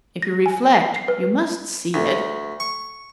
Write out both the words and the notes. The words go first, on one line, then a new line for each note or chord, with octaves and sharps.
If you reflect you must see it.
A#6
G#5
C7
C7
B4
D2
C#6